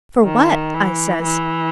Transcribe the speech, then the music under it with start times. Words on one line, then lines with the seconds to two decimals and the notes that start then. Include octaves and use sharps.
"For what?" I says.
0.25 D#3
0.74 E3
1.23 E3